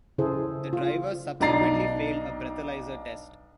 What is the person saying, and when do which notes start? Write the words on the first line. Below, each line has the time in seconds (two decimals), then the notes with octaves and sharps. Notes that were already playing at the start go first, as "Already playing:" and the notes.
The driver subsequently failed a breathalyser test.
0.18 C#3 E4 G#4 A4 C5
0.73 F4
1.40 B1 D4 D#4 A#5 A6 C7